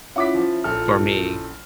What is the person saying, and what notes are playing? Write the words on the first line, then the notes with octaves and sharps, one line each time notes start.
for me,
C#4 E4 F4 F#5 D6 B6
F3
A#1 A4 F6